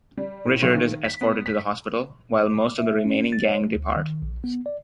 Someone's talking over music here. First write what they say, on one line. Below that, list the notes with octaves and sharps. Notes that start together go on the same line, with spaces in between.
Richard is escorted to the hospital, while most of the remaining gang depart.
G3
A2
B1
D#3
B6
B3
B6
D6
E5
C#4
A6
C#5
A3
D2
D#3
A#1
B3
D5